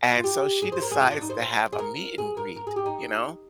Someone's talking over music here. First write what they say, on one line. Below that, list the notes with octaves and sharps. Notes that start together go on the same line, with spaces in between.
And so she decides to have a meet and greet, you know?
F4
G4
G#4
C5
A#4
G#4
F4
D4
D#4
C5
C5
G#4
A#4
G#4
A#4
A#4
G#4
G4
D#4